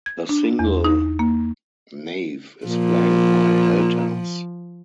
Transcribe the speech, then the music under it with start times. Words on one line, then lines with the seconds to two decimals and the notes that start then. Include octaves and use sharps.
The single nave is flanked by altars.
0.06 G#6
0.29 D4
0.59 E2
0.84 D#4
1.19 A#3
2.66 A#2 F3